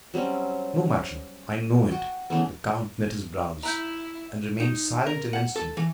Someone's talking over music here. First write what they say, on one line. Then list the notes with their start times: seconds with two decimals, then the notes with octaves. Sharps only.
"No matter; I know it." The count knit his brows, and remained silent an instant.
0.14 F#3 G3 C4 C#4
1.89 F#4 G5
2.30 C#3 E3 A3 B3
3.63 E4 A#5 F#6 G6
4.60 D#4
5.07 A#4
5.33 F#5
5.56 A4
5.77 E3